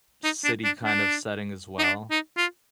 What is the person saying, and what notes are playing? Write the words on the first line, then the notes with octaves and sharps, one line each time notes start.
city kind of setting as well,
D#4
D4
D4
D4
D#4
D4
D#4
F4